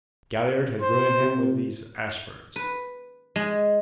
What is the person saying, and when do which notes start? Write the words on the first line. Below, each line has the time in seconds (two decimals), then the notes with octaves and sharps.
Galliard had ruined him with these Ashburns.
0.82 C5
1.21 C3
2.56 B4
3.36 G#3